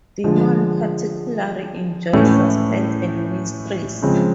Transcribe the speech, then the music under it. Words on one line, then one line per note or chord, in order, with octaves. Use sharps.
Dimon particularly enjoyed suspense and mysteries.
D3 F3 G#3
A2 E3 A3 C#4 E4
C#3 F3 G#3 C4